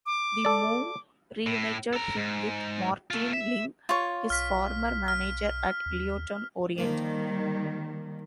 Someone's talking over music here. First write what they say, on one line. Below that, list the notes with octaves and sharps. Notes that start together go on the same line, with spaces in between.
The move re-united him with Martin Ling, his former manager at Leyton Orient.
D6
A4 D5
A2
A4 A#5
G#2
A3 F4
E5
F4 C#5
B1 F6 B6
F6
D#2
D#3 F3 G3 A#3